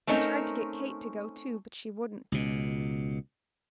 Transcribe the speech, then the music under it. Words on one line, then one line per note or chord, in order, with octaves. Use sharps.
I tried to get Kate to go, too; but she wouldn't.
A3 C4 C#4 D#4 A#4
C#2 B2